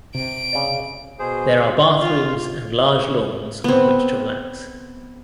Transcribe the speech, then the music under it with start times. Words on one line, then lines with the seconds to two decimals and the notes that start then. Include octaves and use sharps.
There are bathrooms and large lawns on which to relax.
0.15 C3 D7
0.53 C#3 D5
1.19 B2 G#4 C5
2.01 F4
3.64 B3 C4